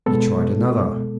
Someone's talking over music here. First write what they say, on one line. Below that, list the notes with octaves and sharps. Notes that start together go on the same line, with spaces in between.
He tried another.
B2 G#3 B3 A4